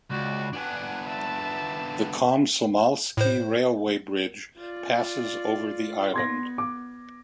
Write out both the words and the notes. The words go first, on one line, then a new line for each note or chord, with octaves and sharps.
The Komsomolsky Railway Bridge passes over the island.
C#2 F#4 D5
B3 D4 F#5 G#5
E5 A5
A2 C5
F4 D5
B3 C6 G#6 A#6
D6